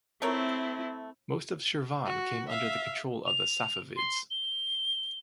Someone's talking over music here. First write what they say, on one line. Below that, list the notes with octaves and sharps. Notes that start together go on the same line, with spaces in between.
Most of Shirvan came under the control of the Safavids.
A3 C4 E4 A#4 C#5
F#4
E5 F5
F7
C6
G7